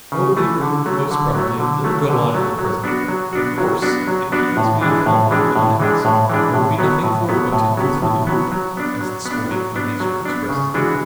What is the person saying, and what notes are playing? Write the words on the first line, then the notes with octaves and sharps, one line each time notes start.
"Oh, they will, most probably, let him go on for the present; but, of course, if he is made accountable for the diamonds there will be nothing for it but to 'go through the hoop,' as the sporting financier expresses it."
C#3
E3 A3
D3
F#3 A3
D3
F#3 A3
D3
F#3 A3
D3
F#3 A3
F#3
B3 D4 F#4
F#3
B3 D4 F#4
F#3
B3 D4 F#4
F#3
B3 D4 F#4
A2
E3 G#3 D4
A2
E3 G#3 D4
A2
E3 G#3 D4
A2
E3 G#3 D4
A2
F#3 B3
A2
F#3 B3
A2
F#3 B3
A2
F#3 B3
F#3
B3 D4
F#3
B3
D4
F#3
B3 D4
F#3
B3 D4
C#3
E3 G#3 D4 F#4